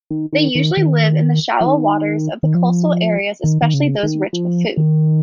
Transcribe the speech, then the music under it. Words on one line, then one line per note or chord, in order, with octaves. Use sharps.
They usually live in the shallow waters of the coastal areas especially those rich of food.
D#3
D#3
D#3
D#3
F3
D#3
D#3
F3
D#3
D#3
C#3
D#3
F3
D#3